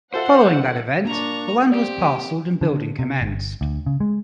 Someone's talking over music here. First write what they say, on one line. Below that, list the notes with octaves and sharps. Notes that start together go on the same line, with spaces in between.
Following that event, the land was parcelled and building commenced.
F4 A4 C5 E5 F#5
A#3 D4 A#5 C#6
C4 G4 D5
D3
C3
G1
D2
C#3
G#3